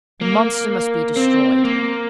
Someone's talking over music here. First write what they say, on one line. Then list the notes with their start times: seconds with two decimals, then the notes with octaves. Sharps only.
"The monster must be destroyed."
0.21 A#3
1.16 C4
1.64 A#3